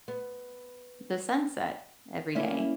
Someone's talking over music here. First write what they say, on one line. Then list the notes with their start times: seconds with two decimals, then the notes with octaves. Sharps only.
the sunset every day.
0.08 B3
2.35 A#3 C#4 E4